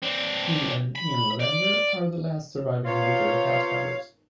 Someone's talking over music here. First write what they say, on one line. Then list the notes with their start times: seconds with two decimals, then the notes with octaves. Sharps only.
He and Ian Lavender are the last surviving major cast members.
0.02 C4 D4
0.95 B5
1.41 D5
2.86 C3 B3 F4 C#5 F5